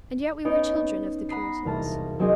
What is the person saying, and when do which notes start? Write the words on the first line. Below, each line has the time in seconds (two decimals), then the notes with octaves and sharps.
And yet we were children of the Puritans.
0.45 B3 C#4 D#4 D7
1.29 F#5 A#5 B5 D#6 B6 C7
1.65 E1 C2 F5 A5 A#5
2.19 F#3 C4 D#4 G#4 A#4 D#5